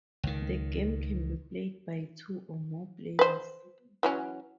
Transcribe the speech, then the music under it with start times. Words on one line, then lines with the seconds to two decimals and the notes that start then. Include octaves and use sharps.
The game can be played by two or more players.
0.23 C#2 D#3
3.19 B4 C5
4.03 E3 F#3 C#4